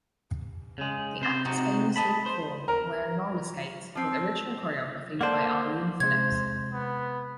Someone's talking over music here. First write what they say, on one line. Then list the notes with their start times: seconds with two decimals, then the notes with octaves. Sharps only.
The actors famously perform wearing roller skates, with original choreography by Arlene Phillips.
0.78 C#3 G#3
1.21 C3 C5
1.45 C3 D#4 F#4
1.96 D#5 A5 B5
2.26 C5
2.68 A#4
3.95 F3 C4
5.21 A#3 A4 C5 D5 F#5
6.00 C3 G#3 C5 G#6
6.72 B3